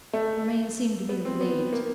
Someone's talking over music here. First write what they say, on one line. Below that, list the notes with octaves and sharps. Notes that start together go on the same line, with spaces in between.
Romayne seemed to be relieved.
A3
B3
C4
B3
A#3